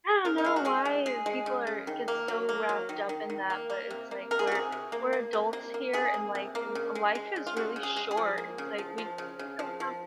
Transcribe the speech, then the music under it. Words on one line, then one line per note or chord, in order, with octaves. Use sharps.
I don't know why people are get so wrapped up in that, but it's like, we're we're adults here and, like, life is really short. It's like, we we don't have
C#3 A#4
D#4
G#3 F4
F#4
G#3 G#4
C#3
G#3 G#4
G#3
C#3
C#3
D#3
A#3
F#3
A#3
F#3
D#3
D#3
D#3
A#3
A#3
C3
A#3
C3 A#4
G#4
F#4
C3 G#4
C3
A#3
A#3
C3
A#3
A#3
C3 G#4
A#3
C3
A#3
C#3
G#3
G#3
C#3
F4
C#3 F#4
C#3
G#4
G#3
G#4
F3
A#3
C#3
F3
F3
C#3
C#3
F3
F3